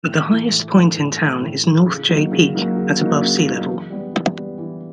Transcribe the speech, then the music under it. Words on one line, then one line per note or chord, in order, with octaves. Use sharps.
The highest point in town is North Jay Peak at above sea level.
A2
E3 A3
A2
E3 A3
A2
E3 A3
A2
E3 A3
C#3
F#3 A#3 D#4
C#3
F#3 A#3 D#4
C#3
F#3 A#3 D#4
C#3
F#3 A#3 D#4
E3
G3 B3
E3
G3 B3
E3